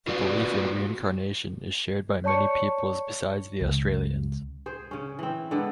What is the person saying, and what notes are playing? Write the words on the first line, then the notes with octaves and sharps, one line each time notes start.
The belief in reincarnation is shared by many peoples besides the Australians.
F4 F#4 B4 D5
C#5 D5 A5 C#6 C#7
C#2
G#4 C5
C#3 C#4
E3 C4
D3 G#3 B3 C5